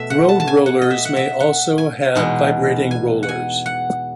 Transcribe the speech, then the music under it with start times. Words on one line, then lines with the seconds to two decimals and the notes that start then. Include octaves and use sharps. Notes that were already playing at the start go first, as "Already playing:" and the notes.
Road rollers may also have vibrating rollers.
Already playing: B2 A3 E5
0.10 F#5
0.29 A5
0.40 A5
0.47 G#5
0.66 F#5
0.82 D#5
0.91 E5
1.05 F#5
1.16 E5
1.40 F#5
1.78 G#5
2.15 E2 B2 G#3 D#4 F#5
2.91 G#5
3.23 F#5
3.29 G#5
3.66 F#5